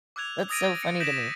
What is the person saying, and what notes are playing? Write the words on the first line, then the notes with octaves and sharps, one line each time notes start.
That's so funny to me.
D6 E6 F#6 G#6 F7
D#6 E6 A6 A#6 D7 D#7
C#7 D7
G6 A#6 B6 D7 E7 F#7